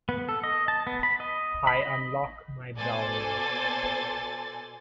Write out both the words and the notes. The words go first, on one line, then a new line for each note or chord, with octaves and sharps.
I unlock my Browning!
B3
A4
D#5
A5
B3
B5
D#5
B5
D#5
B2 A4 C5 D5 G#5 A6